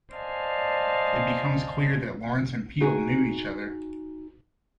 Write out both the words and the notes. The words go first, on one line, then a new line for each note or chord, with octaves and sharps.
It becomes clear that Lawrence and Peale knew each other.
C5 D5 D#5 F5 G#5 A5
D#4 F#4 G#4